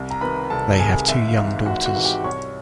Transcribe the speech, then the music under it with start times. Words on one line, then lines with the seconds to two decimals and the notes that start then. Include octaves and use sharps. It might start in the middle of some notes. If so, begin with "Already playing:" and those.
They have two young daughters.
Already playing: C2
0.11 A#5
0.21 C3 D#3 B4 B5
0.50 C2 A4 A5
0.79 C3 D#3 G#4 G#5
1.08 G#1 E5
1.28 F5
1.37 G#2 E3
1.47 F5
1.66 G#1 F#4 F#5
1.86 F#4 F#5
1.95 G#2 E3
2.05 G4 G5
2.24 C2 C#5 C#6